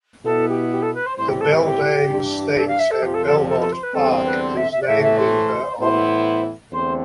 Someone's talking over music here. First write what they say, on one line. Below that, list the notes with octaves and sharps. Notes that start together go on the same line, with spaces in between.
The Beldame Stakes at Belmont Park is named in her honor.
B2 B3 E4 A4
G4
G4
A4
B4
C5
A2 E3 G3 C4 E4 C5
G4
A4
G4
G4
G2 E3 G3 D4
A4
F5
E5
A4
F2 C3 F3 G4
A4
A4
G4
A4
A4
C5
B4
E2 D3 G3 C4 A4
B4
C5
E5
E5
D5
A2 E3 A3 E5
E5
C5
A2 E3 B3 E4 C5
E2 D3 A3 C4 C5